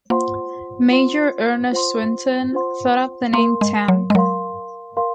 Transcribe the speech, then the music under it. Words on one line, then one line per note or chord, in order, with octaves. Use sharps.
Major Ernest Swinton thought up the name "tank".
A#3 F4 C5 F#5 C6
F4 C5 F#5 C6
F4 C5 F#5 C6
F4 C5 F#5 C6
A#3 A#4 F5 C6
G#3
F#3
G#3
F#3 A#4 F5 C6
A#4 F5 C6